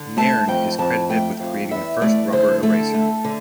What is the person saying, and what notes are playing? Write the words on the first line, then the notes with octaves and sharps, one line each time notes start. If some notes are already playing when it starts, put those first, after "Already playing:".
Nairne is credited with creating the first rubber eraser.
Already playing: D3
A3 A5
F2 G5
F2 A5
A3 G5
F2 F5
E2 E5
A3 D5
D3 C5
A3 A4
A3
D3